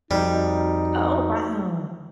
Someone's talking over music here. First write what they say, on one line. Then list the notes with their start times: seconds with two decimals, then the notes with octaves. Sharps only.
Oh, wow.
0.11 F2 G3 D#4 F#4 D#5